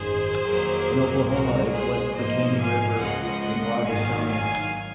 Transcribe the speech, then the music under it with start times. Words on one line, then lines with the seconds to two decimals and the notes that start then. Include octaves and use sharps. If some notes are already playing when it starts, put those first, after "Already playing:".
In Oklahoma it collects the Caney River in Rogers County.
Already playing: G#1 F#2 D#3 G#4 C5
0.45 F2 D#3 F#3 A#3
1.29 C2 A#2 G#3 F#4 A#4
1.72 G#4 C5
2.15 G#2 F3 A#3 C5 D#5
2.58 F5 G#5
3.00 C#2 C#3 F3 G#3 D#5 F#5
3.85 G#1 G#2 D#3 F#3 A#3 F5 G#5
4.28 F5 G#5